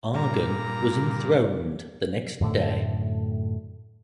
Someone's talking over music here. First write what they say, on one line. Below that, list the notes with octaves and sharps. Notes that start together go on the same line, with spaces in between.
Arghun was enthroned the next day.
G2 A#2 A#5
F#2 A2 D3 A3